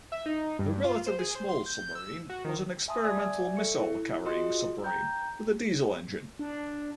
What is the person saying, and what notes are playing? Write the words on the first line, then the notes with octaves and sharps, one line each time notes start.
The relatively small submarine was an experimental missile-carrying submarine with a diesel engine.
E5
D#4
G2
F4
C5
G#4
C5
C6
G6
E6
F#4
D#3
E5 G#5 A5 C6 D#6
D5 E5 G#5 G#6
A4 E5 C#6 C#7
E4
F4 F#4 G#4 D#5 C6
G5 A#5 G6
D4